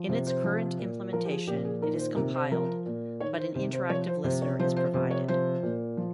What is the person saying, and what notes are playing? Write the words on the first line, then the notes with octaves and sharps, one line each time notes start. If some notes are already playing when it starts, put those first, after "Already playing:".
In its current implementation, it is compiled, but an interactive listener is provided.
Already playing: F3
C3 C5
C5
F3
A#2
F3 A#4
G4
G#4
A#2 G4
G#4
D#3 A#4
C5
C3 A#4
C5
F3 A#4
A#2
D#3 C#5
C5
C3 C5
C5
F3 C#5
C5
C3 C5
C#5
F3 C5
C5
C3 C5
C#5
F3 C5
A#2
F3